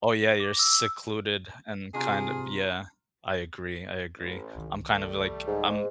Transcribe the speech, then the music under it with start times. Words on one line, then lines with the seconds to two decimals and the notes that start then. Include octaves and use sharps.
Oh, yeah, you're secluded and kind of yeah. I agree, I agree. I'm kind of, like I'm
0.25 A#6
0.40 D6
0.59 E6
1.94 C3 D4 F4 G#4 A#5
4.17 A1
4.55 C2 D#3
4.91 G3 A3
5.47 G#2